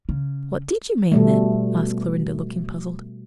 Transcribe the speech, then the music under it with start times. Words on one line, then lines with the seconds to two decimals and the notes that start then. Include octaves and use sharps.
"What did you mean, then?" asked Clorinda, looking puzzled.
0.09 C#3
1.12 B2 G3 A3